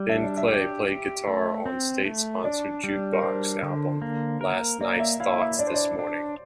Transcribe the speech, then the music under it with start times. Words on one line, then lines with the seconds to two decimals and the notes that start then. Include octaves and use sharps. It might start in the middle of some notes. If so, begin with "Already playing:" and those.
Ben Clay played guitar on 'State Sponsored Jukebox' album 'Last Nights Thoughts This Morning'.
Already playing: G3
0.09 D4 E5
0.24 D5
0.37 E5
0.48 G4
0.88 G4
1.27 A3
1.66 C4
2.05 A3
2.44 D4 D5
2.84 G3
3.13 A#4
3.23 D4 C5
3.63 D3
4.02 A#3
4.41 A#4
4.81 A#3 D5
5.00 E5
5.20 E4 F5
5.33 F5
5.39 E5
5.59 D4 D5
5.67 C5
5.74 D5
5.99 D4